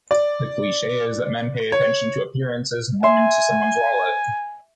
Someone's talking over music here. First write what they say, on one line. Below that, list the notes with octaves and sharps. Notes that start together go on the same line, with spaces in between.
The cliche is that men pay attention to appearances and women to someone’s wallet.
D5
C#5
E5 G#5 C6